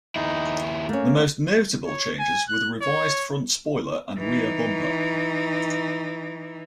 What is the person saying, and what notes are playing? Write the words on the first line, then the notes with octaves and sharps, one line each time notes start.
The most notable changes were the revised front spoiler and rear bumper.
D#2 D#4 E4
A3 A#3 C#4
C#5
G#5
F#6
C#5
E3 D#4